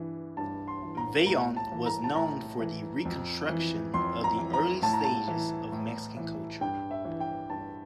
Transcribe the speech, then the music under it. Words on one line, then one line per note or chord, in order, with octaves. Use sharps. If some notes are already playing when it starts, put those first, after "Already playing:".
Vaillant was known for the reconstruction of the early stages of Mexican Culture.
Already playing: G2 E3
G2 A5
C6
E3
A#5
A2 A#5
A5
E3
A#5
A5
A2 A#5
E3
F2
E3
F2 C6
A#5
E3
A#5
A2 A5
A#5
A5
E3
A2
E3
G2 G5
E5
E3
G5
G2 A5